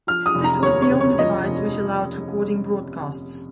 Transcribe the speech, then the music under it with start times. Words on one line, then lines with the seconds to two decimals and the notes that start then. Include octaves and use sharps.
This was the only device which allowed recording broadcasts.
0.07 F3 F6
0.26 D#6
0.35 F1
0.44 A#5
0.62 D#2 C#5
0.82 C#5
0.91 C#3
1.01 C#5
1.18 F3 D#5
1.46 F1